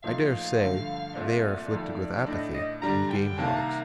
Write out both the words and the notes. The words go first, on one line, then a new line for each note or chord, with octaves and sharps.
I dare say they are afflicted with apathy, and game-hogs.
A#2 F3 A3 D#4 F5
G2 D3 F3 A3
C2 A#2 A3 C4 F4 D5
F2 D#3 A3
A2 A3 D4 D#5
D#5
D3 G3 D4 A#5
G5
C2 C3 D#3 A#3 A5
A#5